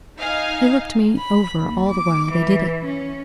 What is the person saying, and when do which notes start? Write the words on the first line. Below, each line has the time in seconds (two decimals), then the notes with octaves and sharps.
He looked me over all the while they did it.
0.18 D#4 D#5 F5 G#5
1.17 B5
1.59 D#2
1.89 D6
2.33 E3
2.85 C#4